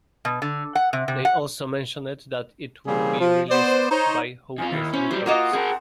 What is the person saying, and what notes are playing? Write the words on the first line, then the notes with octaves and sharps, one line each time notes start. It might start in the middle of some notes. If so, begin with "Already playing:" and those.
They also mentioned that it would be released by Hopeless Records.
B2
D3
F#5
C3
C3
F#5
C#3 E3 G3 A#3 C4 G#4
F3
B3 C5 D5
D#4 C5 C#5
F2 F4 G#5
D#2 E4
C#4 C5
F#3 G3 C5
A#3 F4 F#4 D#5 F#5
C4 G#4 A#4